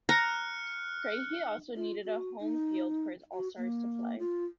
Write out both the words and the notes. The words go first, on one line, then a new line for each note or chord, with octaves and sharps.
Kraehe also needed a home field for his All-Stars to play.
A#5 F6 F#6 C#7
F4
F#4
D#4
F#4
A#3
F4